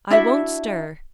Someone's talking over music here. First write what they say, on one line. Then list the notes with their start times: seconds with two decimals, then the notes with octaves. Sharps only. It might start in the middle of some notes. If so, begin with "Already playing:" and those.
"I won't stir."
0.10 D4 E4 F#4 E5